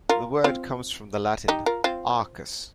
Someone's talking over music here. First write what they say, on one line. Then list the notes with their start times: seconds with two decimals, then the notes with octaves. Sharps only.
The word comes from the Latin "arcus".
0.09 F4 A#4
0.44 C4 F4
1.48 D#4 G4
1.66 F4 A#4
1.84 C4 F4